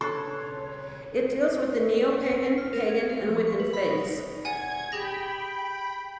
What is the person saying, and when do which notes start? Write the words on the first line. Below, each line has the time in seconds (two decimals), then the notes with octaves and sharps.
It deals with the Neopagan, Pagan, and Wiccan faiths.
0.01 C#3 D4 A4 B4 C#5 C6 F#6
2.43 B6
2.58 F6
2.73 A#4
2.89 G#6
3.09 F5
3.29 F3
3.47 C#6
3.60 B4
3.73 B5
3.91 D#4
4.45 D5 F#5 G#5 G#6
4.92 G4 G#4 G5 B5 A#6